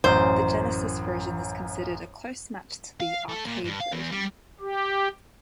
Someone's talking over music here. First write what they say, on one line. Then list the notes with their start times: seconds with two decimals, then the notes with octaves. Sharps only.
The Genesis version is considered a close match to the arcade version.
0.04 A1 F#2 C5
3.00 F5
3.29 A3
3.45 A#2
3.64 G2
3.80 F5
3.93 E2
4.11 G3
4.61 G4